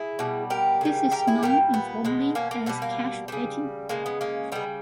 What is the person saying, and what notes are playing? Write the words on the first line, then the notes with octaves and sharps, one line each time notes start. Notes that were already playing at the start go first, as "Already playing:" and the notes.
This is known informally as cash baiting.
Already playing: E4 G#4
B2 G3
G4 A#4
C#3 G3
G4 A#4
E4 G#4
A#2 G3 G4 A#4
B3
B2 G#3
A#3 C#4
A#3
B2 G3 B3
A#3
C#3 G3 B3
C#3 G#3 A#3
B3
A#3 C#4
C#3 G3 B3 D#4